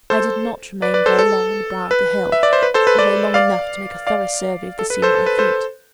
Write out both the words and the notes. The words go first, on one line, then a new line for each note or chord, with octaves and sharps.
I did not remain very long on the brow of the hill, although long enough to make a thorough survey of the scene at my feet.
A4 C5
B4 D5
B4 D5
A4 C5
A4
B4
E5
D5
C5
B4
A4 C5
B4
B4 D5
D5 F5
D5 F5
A4
B4
A4 C5
A4
B4
A4 C5